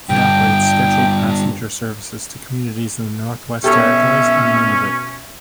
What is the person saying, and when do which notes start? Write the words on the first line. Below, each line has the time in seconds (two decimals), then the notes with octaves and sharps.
It operates scheduled passenger services to communities in the Northwest Territories and Nunavut.
0.09 G2 D3 G5
3.64 B2 C#4 G4 A4 C#5 E5